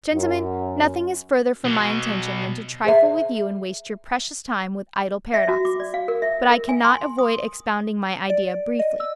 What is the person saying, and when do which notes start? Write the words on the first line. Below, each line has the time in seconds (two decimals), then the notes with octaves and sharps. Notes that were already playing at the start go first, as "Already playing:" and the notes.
Gentlemen, nothing is further from my intention than to trifle with you and waste your precious time with idle paradoxes; but I cannot avoid expounding my idea briefly.
0.13 F#2
1.65 B2 F#3
2.85 G#4 C5 E5
5.34 E5
5.48 F#4
5.65 D6
5.80 D5
5.94 F5
6.08 A#4
6.22 E5
6.49 A#4
6.69 G#5
6.85 C6
7.18 D#6
8.30 D5
8.79 D#5
9.00 E6